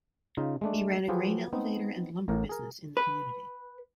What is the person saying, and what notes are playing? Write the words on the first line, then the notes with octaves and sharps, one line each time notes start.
He ran a grain elevator and lumber business in the community.
C#3 D#4 F4
G#3 A3 D4
F3 F#3 F4 G4 G#4 B4
B3 C4 D#4
A1 A2 A#4
G#4 A#4
B4